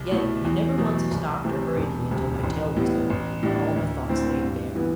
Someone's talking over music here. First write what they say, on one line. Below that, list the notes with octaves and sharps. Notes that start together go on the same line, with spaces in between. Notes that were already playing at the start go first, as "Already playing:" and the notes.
Yet he never once stopped or hurried me, until my tale was done, and all my thoughts laid bare.
Already playing: C2
B2 A3 E4
E2
B2 F#3 A3
C2
C3 E3 A3 C4
E1
D2 C3 G3
A1
A2 G3 B3 E4
A1
A2 G3 D4
D2
D3 A3 C4 E4
G2
E3 B3 E4